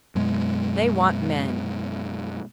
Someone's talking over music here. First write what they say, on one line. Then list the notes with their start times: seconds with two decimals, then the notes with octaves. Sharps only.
They want men.
0.15 F#2 B2 G#3